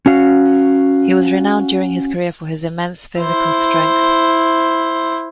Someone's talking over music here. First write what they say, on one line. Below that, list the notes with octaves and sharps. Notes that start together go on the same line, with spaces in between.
He was renowned during his career for his immense physical strength.
C#4 F#4 F5
E4 C5